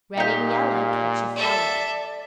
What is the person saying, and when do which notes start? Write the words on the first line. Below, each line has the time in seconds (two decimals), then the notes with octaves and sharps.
Red and yellow, catch a fellow.
0.17 A#2 D#4 G4 F5
1.36 A4 D5 E5